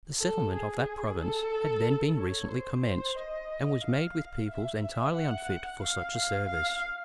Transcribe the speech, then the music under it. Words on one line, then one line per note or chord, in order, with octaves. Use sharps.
The settlement of that province had then been recently commenced, and was made with people entirely unfit for such a service.
A4
G#4
A4
C#5
C5
C5
D#5
F5
E5
E5
F#5
F5
F5
F5